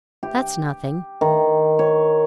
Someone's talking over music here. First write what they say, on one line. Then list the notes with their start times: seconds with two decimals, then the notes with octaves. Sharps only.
'That's nothing.
0.23 G4
1.21 D#3
1.79 C#5